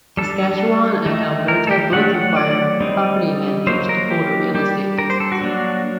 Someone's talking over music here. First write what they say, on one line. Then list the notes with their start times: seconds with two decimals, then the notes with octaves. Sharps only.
Saskatchewan and Alberta both require property managers to hold a real estate license.
0.17 G3 D4 A4
1.06 D#3 A3 D#4
1.48 A#4
1.67 A4
1.71 G4
1.92 D#3 F#3 A3 D4 F#5
2.14 F#5
2.36 D5
2.80 G3 C4 D#4
3.67 F#3 A#3 D#4 C5
3.89 A#4
4.10 G4
4.55 G3 D4 G4
4.98 A#4
5.10 C5
5.20 A4
5.32 F#4
5.41 F#3 A#3 D4